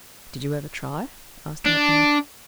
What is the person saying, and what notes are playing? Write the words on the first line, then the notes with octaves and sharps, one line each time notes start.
"Did you ever try?" asked Aunt Emmy.
D4